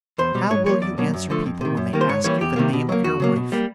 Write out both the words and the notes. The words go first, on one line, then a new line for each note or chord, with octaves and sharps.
How will you answer people when they ask you the name of your wife?'
E2 C5
B2 G3
G#2 C#5
F3 A#3 C#5
E2 D5
B2 F#3 A#3
F#2
D3 F3 A3
F2
C3 D#3
F#2
D#3 G3 A#3
C5
G#2 C#5
E3 G3 A#3 C#5
E2 G4
C3 D#3 G3 A#3
B2
F#3 A#3
E2 F#4
C#3 F#3 A#3
B2
G3 A#3